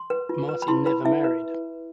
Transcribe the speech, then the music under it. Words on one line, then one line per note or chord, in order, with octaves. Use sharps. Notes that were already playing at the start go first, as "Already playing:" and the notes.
Martin never married.
Already playing: C6
B4
F4
B4
B5
E4 C6
B4 B5
E4 E5
B4